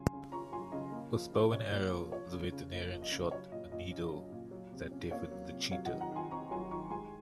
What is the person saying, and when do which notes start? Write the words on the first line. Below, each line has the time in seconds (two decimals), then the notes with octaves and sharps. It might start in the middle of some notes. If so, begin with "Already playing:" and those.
With bow and arrow the veterinarian shot a needle that deafened the cheetah.
Already playing: C#3 F#3 G#5 C6
0.13 C#3
0.32 C#4 A#5 C#6
0.52 F#3 G#5 C6
0.72 C#3 D#5
0.92 A#3
1.13 F3
1.33 F3
1.52 C#4 C#5
1.72 A#3
1.92 F3
2.12 F3 C#5
2.32 C#3
2.52 C#3
2.72 A#3 D#5
2.91 F3
3.02 D#5
3.12 C#3
3.31 F#3 C#5
3.52 A#2 D#5
3.72 A#2 D#5
3.91 C#4
4.12 F#3
4.32 A#2
4.51 F#3
4.72 C3
4.91 C#4
5.11 A#3 C#5 F5
5.31 F#3
5.51 C3
5.71 F#3 C#5 F5
5.86 D#5 F#5
5.91 D#3
6.01 F#5 A#5
6.11 D#3 G#5 C6
6.31 C4 A#5 C#6
6.51 F#3 G#5 C6
6.71 D#3 A#5 C#6
6.90 G#3 G#5 C6